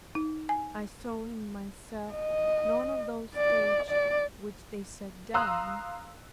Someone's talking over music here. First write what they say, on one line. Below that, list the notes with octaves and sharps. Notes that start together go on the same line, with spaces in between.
I saw in myself none of those states which they set down.
D#4
G#5
D#5
D5
D5
F5 A#5 C6 D#6 E6 F#6